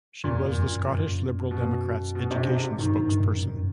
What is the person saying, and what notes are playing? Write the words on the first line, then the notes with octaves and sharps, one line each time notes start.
She was the Scottish Liberal Democrats' Education Spokesperson.
F2 A#2
F#2
F#2
B2
B2
C3
C3
G2 D#3
G2
F#2
F#2